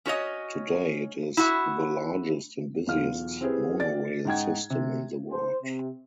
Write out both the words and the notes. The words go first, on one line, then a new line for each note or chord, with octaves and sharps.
Today it is the largest and busiest monorail system in the world.
C#4 F#4 C#5 D#5
E4 F#4
B1 E2 F4 F5 F6
C4 E4 G4 G#4 B4 C5
D5 A6
G#2 D#4 F#5 G5 G#6
C3
C5
C3